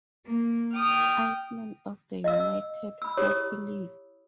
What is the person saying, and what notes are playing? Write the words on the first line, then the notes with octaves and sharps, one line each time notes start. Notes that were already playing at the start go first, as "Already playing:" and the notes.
Icemen of the United Hockey League.
A#3
G5 D#6 F6
D#5 F5 E6
B5 E6
E4 G4 C#5 D#6